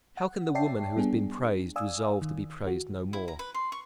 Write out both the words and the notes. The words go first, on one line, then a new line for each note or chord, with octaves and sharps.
How can the woman who has been praised resolve to be praised no more?
F#5
C#5 D5 E5 G5 A5 C7
G3 B3 D4 G#4
D5 F5 G#5 D#6 E6
D#3
F#4
E4
A#5
B4
C6
C#6